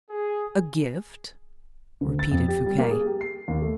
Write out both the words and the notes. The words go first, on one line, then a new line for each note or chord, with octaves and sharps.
"A gift?" repeated Fouquet.
G#4
D2
A6
F2
G4
G3
A#3
G#4
G4
C7
D#2
A3